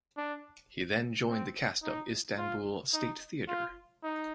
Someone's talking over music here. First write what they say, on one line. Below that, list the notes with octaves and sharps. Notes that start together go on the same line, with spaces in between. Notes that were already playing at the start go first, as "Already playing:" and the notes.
He then joined the cast of Istanbul State Theatre.
D4
C4
D#4
F4
D#4
F4
D#4